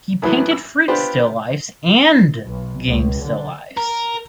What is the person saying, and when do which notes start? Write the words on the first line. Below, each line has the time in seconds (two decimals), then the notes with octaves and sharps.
He painted fruit still lifes and game still lifes.
0.22 A2 D#3 E3 F#3 B3
0.51 E6
0.88 B3 D4 F4 G4 B4 C5
2.45 B1
2.88 C#2
3.22 D3
3.77 A#4